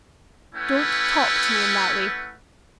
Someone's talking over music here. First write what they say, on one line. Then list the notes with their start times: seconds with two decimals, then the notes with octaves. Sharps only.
Don't talk to me in that way.
0.55 A3 C#4 E4 B4 F#5